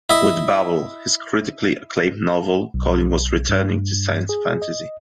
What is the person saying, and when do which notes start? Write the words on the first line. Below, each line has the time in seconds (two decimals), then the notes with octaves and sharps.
With "Babel", his critically acclaimed novel, Colin was returning to science fantasy.
0.10 E4 D#5
2.74 B1
3.49 G2
4.29 G#4
4.62 D#5